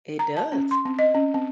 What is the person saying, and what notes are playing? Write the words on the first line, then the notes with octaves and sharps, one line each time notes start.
It does.
A#5
A5
C#4
C6
C4
D#5
C#4
C4